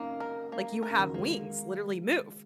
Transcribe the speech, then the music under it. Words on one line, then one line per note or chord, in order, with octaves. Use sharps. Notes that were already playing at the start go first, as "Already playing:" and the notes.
Like, "You have wings, literally move."
Already playing: A#3 C#4 D#4
A#4
A#3
A#4
C#3
D#3
F#3
G#3 A#3